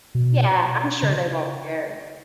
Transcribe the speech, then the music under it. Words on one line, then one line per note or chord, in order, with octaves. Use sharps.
Yeah, I'm sure they won't care,
B2
C#3